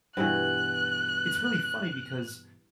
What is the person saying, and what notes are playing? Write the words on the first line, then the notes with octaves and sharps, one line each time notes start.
It's really funny because
G2 B2 E3 F#6